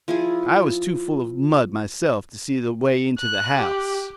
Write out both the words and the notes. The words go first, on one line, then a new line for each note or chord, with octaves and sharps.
I was too full of mud myself to see the way into the house.
F3 E4 F4 G#4
F#6
G4